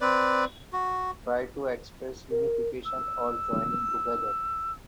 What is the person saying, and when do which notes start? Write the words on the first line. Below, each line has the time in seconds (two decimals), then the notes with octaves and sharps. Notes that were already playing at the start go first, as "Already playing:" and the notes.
Try to express unification or joining together.
0.01 C4 B4 D5
0.73 F#4
2.31 A#4
2.85 E6